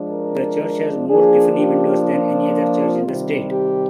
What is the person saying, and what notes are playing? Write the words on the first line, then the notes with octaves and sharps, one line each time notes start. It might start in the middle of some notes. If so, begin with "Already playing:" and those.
The church has more Tiffany windows than any other church in the state.
Already playing: F3 G#3 D4
A#4
F3 A#3 D4 G#4
G4
F4
C3 D#3 G3
G4